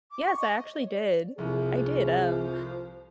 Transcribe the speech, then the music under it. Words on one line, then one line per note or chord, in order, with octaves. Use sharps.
Yes, I actually did. I did, um,
D6
C#6
D#5
C#5
D5
C2 F2 F3 G#4